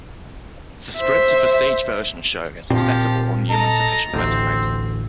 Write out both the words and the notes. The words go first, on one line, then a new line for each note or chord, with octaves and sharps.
The script of the stage version show is accessible on Newman's official website.
C5 E5
A#2 F3 C4 G4
A4 D#5 A#5
A1 D2 C4